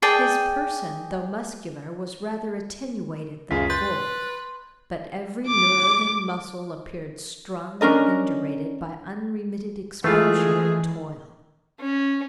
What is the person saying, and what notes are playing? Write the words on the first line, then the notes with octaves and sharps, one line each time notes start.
His person, though muscular, was rather attenuated than full; but every nerve and muscle appeared strung and indurated by unremitted exposure and toil.
G#4 D5 G5 A5
C#2 F#2 F4 G#4 B6
B4 C6 G6 A6
D6
C#4 D4 A#4 D#5
E3 G#3 A3 F4 G#4
C#4